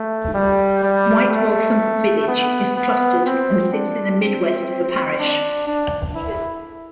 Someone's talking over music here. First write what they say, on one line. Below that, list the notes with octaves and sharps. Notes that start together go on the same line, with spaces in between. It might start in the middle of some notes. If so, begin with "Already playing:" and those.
White Waltham village is clustered and sits in the mid-west of the parish.
Already playing: A3
G3
G3
A3
B3
B3
C4
D4
C4
D4
D4
E4